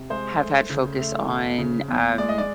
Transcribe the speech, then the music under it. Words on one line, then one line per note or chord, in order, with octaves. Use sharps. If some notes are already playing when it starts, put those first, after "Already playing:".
have had focus on, um,
Already playing: C3
G#3 C5
A3
C#3
A3
E2
C#3
E2
G#3 D5
D#5
D5